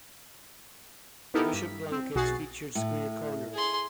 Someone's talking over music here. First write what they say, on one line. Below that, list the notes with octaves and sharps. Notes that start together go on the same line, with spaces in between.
The Bishop blankets featured square corners.
B3 D#4 E4 G4 A4 A#4
G2 B6
C4
B1 B2 F#4 G#4 A6 C7
A2
G#4 C6